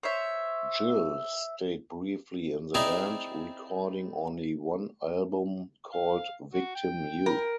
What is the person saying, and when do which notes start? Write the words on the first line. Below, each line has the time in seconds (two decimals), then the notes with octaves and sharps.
Gill stayed briefly in the band, recording only one album called "Victim You".
0.03 C5 C#5 E5
2.74 C4 D#4 E4 G#4 D5 D#5
5.93 F5
6.53 F#4
6.75 G5
7.26 A#4